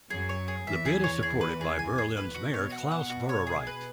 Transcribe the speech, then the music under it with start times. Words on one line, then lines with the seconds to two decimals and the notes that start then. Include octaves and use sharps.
The bid is supported by Berlin's mayor Klaus Wowereit.
0.10 F#2 F#3 G#4
0.29 C#5
0.48 G#4
0.67 E2 E3 E5
0.86 G#4
1.04 C#5
1.23 G#4
1.41 B4
1.61 G#4
1.79 G#5
1.98 G#4
2.17 B4
2.35 B2 F#4
2.54 C#5
2.72 F#4
2.91 F#5
3.10 F#4
3.29 C#5
3.47 G#4
3.67 B4